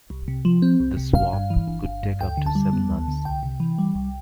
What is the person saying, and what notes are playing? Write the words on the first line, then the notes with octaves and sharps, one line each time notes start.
The swap could take up to seven months.
C2
C3
F3
C4
C2
C3
G1 F5
G2
E3
G1
G1
G2
D2 G5
D3
A5
G3
B3
D2
D3
C2 G5
C3
E3
G3
C2